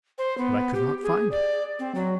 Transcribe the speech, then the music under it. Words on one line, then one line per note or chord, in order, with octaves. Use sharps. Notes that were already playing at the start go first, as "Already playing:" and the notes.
But I could not find it.
C5
B3
G4
G#4
D5
C4
F#3